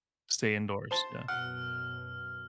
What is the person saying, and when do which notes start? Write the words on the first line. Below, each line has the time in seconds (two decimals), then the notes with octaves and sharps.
Stay indoors, yeah,
0.91 C5 A5
1.28 F#2 B2 F#5 F6